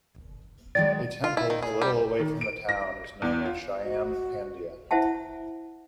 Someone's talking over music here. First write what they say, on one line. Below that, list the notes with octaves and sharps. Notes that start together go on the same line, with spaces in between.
A temple, a little away from the town, is known as Shyam Pandia.
D#3 F#3 G#3 D5
F4
E4
D#3
G#4
G3
D#3
D7
A#6
E2
F4
F#4
E4 C5 E5 F#5 A5